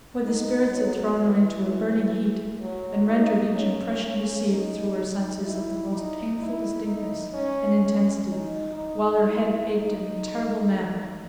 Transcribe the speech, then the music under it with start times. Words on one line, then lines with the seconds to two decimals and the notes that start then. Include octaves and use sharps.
For the spirits had thrown her into a burning heat, and rendered each impression received through her senses of the most painful distinctness and intensity, while her head ached in a terrible manner.
0.24 D#4
0.71 F#3
1.18 E3
2.60 F#3
3.07 D#4
3.55 C#4
4.02 C#4
4.49 D#4
4.96 D#4
5.44 E4
5.91 D#4
6.39 E4
6.85 D#4
7.33 C#4
7.81 C#4
8.28 D#4
8.75 D#4
9.22 E4
9.70 D#4